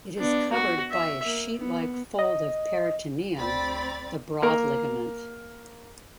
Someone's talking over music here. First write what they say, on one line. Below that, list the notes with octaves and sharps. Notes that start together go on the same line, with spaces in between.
It is covered by a sheet-like fold of peritoneum, the broad ligament.
B3 D4
F#4
E5
A#3
B3
D#5
D2 C4 D5 B5 A6
A#3 A#4